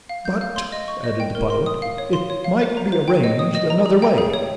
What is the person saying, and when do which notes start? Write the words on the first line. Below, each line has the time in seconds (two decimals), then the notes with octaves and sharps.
"But," added the pilot, "it might be arranged another way."
0.09 F5
0.25 G6
0.41 F5
0.56 C6
0.72 D#5
0.88 C#6
1.04 D#5
1.20 G5
1.35 A#4
1.50 C6
1.66 D#6
1.82 F5
1.98 C#5
2.13 C6
2.30 C#5
2.44 F5
2.61 C5
2.77 A#5
2.92 C5
3.08 G5
3.24 D#5
3.39 D#6
3.55 D#5
3.70 A#5
3.86 G#4
4.02 G5
4.18 G#4
4.34 C#5